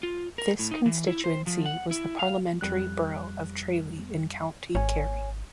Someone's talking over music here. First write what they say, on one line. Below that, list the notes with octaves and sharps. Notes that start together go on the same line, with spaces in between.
This constituency was the parliamentary borough of Tralee in County Kerry.
F4
A#4
A2
D#4
E3
E4
C5
F3
F#5
E4
F5
F2 G3 F#6
G#1 C#5 G#5